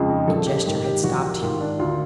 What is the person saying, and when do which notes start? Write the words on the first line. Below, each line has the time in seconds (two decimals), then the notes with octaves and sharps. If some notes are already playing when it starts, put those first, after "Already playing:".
A gesture had stopped him.
Already playing: F2 C#3 F3 G#3
0.09 D#4
0.28 A#1 A4
0.47 G4
0.66 G#2 D#3 G4
0.84 G4
1.04 A#1 F#4
1.23 G4
1.42 G#2 D#3 F4
1.61 D4
1.79 D2 F4